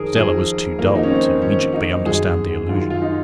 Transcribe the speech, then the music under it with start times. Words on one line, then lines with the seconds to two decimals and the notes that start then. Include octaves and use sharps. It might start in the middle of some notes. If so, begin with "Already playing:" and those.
Stella was too dull to immediately understand the allusion.
Already playing: F2 D#3 G#4 A#4
0.15 F2 D#3 G#4
0.79 F2 D#3 A#3
0.95 D#4
1.03 C#4
1.11 C4
1.42 F2 D#3 C#4
1.74 D#4
2.06 F#2 D#3 G#4
2.69 F#2 D#3 F4
2.90 F4
3.02 D#4